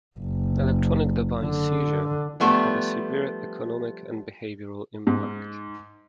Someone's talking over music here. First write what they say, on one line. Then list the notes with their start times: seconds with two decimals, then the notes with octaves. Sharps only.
Electronic device seizure may have a severe economic and behavioral impact.
0.18 F#1
1.41 D3
2.40 F3 G3 A3 B3 D4
5.07 G#2